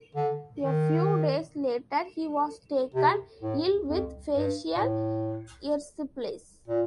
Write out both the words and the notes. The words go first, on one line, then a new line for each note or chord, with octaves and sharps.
A few days later, he was taken ill with facial erysipelas.
D3
D#3
C3
A2
F2
G2
A#2
A2
A#2